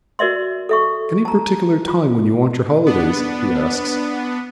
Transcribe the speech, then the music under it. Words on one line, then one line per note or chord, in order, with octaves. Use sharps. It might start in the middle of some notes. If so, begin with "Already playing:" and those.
"Any particular time when you want your holidays?" he asks.
F#4 A#4 D5 E5 C6
A4 E5 C#6
A5 A#5
F4
B3 D4